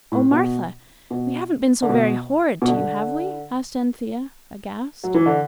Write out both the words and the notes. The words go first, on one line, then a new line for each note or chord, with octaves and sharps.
'Oh, Martha, we haven't been so very horrid to you, have we?' asked Anthea, aghast.
A2
B2
B2
D3
B2
B2
D3
F#3
E3
D3